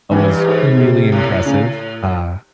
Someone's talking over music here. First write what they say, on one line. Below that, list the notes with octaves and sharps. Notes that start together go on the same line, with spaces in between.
oh, was really impressive. Uh,
F#2 E3
G2
G#2
C3
A2
C#3